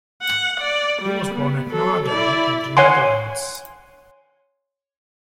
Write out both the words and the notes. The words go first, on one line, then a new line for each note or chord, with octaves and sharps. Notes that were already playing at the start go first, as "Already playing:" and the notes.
He was born at Naarden in the Netherlands.
F#5
D5
G3
B3
F#3 A4
E4 D5
C#5 F#5 G#5 C6